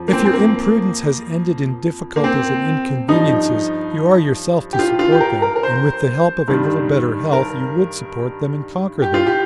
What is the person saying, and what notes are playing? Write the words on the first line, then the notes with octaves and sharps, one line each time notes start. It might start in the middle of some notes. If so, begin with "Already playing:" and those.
'If your imprudence has ended in difficulties and inconveniences, you are yourself to support them; and, with the help of a little better health, you would support them and conquer them.
Already playing: F2 F3
A#3
C4
C4
A#3
A#3
C4
G2 F3 D#4
G4
F4
F4
G4
A#4
A#4
A#4
C5
G2 D#3 G3
A#4
G4
F4
G4